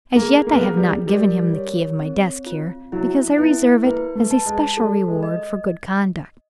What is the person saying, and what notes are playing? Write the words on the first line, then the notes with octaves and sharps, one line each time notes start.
As yet I have not given him the key of my desk here, because I reserve it as a special reward for good conduct.
A#3 G#4
A#3
B3
A#3 G#4
G3
G3 A#4
C#5
C4
F4
F#3 E4
B3 E4
A#3 B4
A3
A5
G#3
G3 A4
G#3
D#5